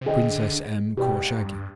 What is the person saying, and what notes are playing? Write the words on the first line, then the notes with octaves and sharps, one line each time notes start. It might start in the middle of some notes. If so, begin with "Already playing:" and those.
Princess M. Korchagin.
C3
D3 G#4 C5 D#5 G5
B2 G4 B4 D5 G5
G#2
G2